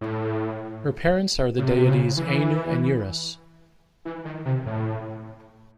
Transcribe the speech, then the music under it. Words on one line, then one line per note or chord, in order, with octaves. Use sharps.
Her parents are the deities Anu and Uras.
A2
C#3
C3
C3
C#3
E3
E3
D#3
C3
A2